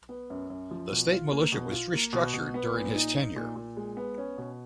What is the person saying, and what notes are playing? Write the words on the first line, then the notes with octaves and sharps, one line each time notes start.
The state militia was restructured during his tenure.
B3
F#2
F#2
F3
B2
F4
A#3
B2
F4
A#3
B2
B2
B3
A#2
D#4
D#4
A#2
A#2
G#3
B3
C#4
B2